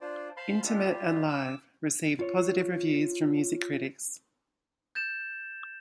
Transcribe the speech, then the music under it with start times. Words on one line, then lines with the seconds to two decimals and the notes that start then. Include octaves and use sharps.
"Intimate and Live" received positive reviews from music critics.
0.01 D4 F4 C5 D5
0.37 C5 F5 A5 B5 C6
0.65 G#3 D4 F4 G4 A4
0.89 G3 F4 G4
1.28 D6 E6
2.19 F4 C#5
4.95 G6 A6 E7